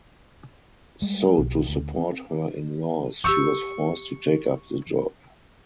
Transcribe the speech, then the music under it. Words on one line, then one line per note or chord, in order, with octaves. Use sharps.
So to support her in laws she was forced to take up the job.
G3 G#3
B1
D2
C4
G4 C#6 E6 G6